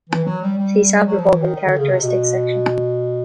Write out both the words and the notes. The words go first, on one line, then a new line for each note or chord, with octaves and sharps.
See sample above in Characteristics Section.
E3
F#3
G3
G3
F#3
F3
E3
D#3
D#3
D3
C#3
C3
B2